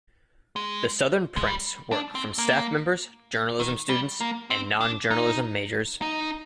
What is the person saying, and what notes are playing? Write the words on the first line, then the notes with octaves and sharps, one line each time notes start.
The Southern prints work from staff members, journalism students, and non-journalism majors.
G#3
G#3
G3
D4
C4
A#3
D#3
G3
A#3
C4
D4
D#4
D#4